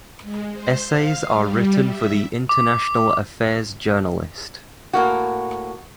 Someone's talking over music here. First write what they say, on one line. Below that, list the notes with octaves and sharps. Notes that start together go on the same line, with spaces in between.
Essays are written for the international affairs generalist.
G#3
C5
F5
G3
E5
D6
A2 A#3 F#4